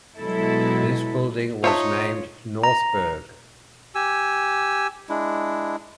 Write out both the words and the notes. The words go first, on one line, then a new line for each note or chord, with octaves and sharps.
This building was named "Northburg".
B2 F#3 G#3 E4 A4
D#4 F4 C5 C#5 E5 A5
A#5
G4 G#5 E6
G#3 D4 E4